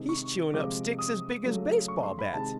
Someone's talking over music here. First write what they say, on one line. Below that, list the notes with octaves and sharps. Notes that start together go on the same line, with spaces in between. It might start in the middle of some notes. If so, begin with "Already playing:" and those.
He's chewin' up sticks as big as baseball bats!
Already playing: C3 D#3 G#3
C#6
C3 F3 G#3 D6
D#6
C#3 F#3 A3
C#6
C6
B5
C3 D#3 G#3 A5